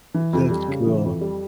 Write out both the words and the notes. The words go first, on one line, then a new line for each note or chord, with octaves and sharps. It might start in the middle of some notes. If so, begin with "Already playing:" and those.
That's cool.
E3
F2
G3
C#3
E3
F2
G3